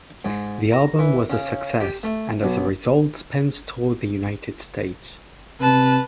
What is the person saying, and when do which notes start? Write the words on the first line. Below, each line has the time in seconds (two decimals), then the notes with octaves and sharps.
The album was a success, and as a result Spence toured the United States.
0.25 G#2
0.72 A#5
0.99 E3
1.30 C#3
1.81 G4
2.03 A3
2.43 B1
5.61 C3 B4 A5